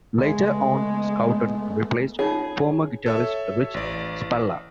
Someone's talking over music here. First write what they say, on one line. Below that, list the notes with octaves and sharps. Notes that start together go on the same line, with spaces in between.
Later on Scouten replaced former guitarist Rich Spalla.
C#3 G#3 A3 B3
D#4 F4 G#4 C#5
A4 C#5 E5
A1 D5